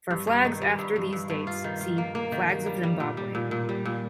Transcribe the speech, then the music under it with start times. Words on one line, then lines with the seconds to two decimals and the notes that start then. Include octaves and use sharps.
For flags after these dates see Flags of Zimbabwe.
0.11 G2
0.27 G2
0.45 D#3
0.62 G3
0.79 G2
0.96 G2
1.13 G2
1.30 G2
1.47 F4
1.64 D#3
1.81 F4
1.98 A#3
2.15 A#3
2.32 D#3
2.49 A#3
2.66 G3
2.83 G3
3.00 A#2
3.17 G3
3.35 A#2
3.51 A#2
3.69 G3
3.85 A#2